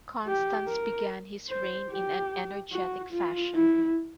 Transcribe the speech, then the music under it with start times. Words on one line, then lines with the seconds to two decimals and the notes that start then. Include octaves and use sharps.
Constans began his reign in an energetic fashion.
0.27 G4
0.68 A#4
1.50 C5
1.91 G4
2.73 F#4
3.13 F4
3.55 E4